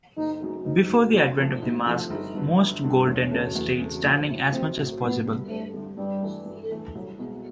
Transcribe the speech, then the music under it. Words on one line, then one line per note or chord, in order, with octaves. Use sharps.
Before the advent of the mask, most goaltenders stayed standing as much as possible.
F#1 D#4
F#2 C#3 F#3
F#1 D#4
F#2 C#3 F#3
D2 C#4
C3 F3 A3 C4
D2 D#4
C3 F3 A3 C4
G1 D#4
G2 D3
G1
G2 D3
E2 C#4
C#3 F#3 A3
E2
C#3 F#3 A3
A#1
A2 F#3
A#1 C4
A2 F#3
G2 B3
D3 G3
G2 A3
D3 G3
G2 G3
E3 A3
G2
E3 A3
C2 F#3
B2 G#3